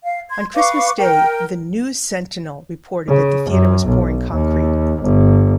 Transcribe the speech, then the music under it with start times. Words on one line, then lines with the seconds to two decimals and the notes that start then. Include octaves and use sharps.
On Christmas Day the "News-Sentinel" reported that the theatre was pouring concrete.
0.04 F5
0.30 C6 G#6
0.55 B4 F5 C#6 D6
0.98 A#4 G5
3.08 C#3
3.50 F#2
3.86 B1
4.31 D#2
5.03 G1